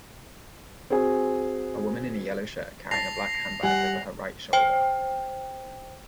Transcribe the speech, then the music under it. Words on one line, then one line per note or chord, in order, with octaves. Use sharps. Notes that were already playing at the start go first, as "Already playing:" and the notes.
A woman in a yellow shirt carrying a black handbag over her right shoulder.
C4 F#4 G#4 G#5
A5 A6 A#6 C7 F7
G3 F#5 G#5
C5 G5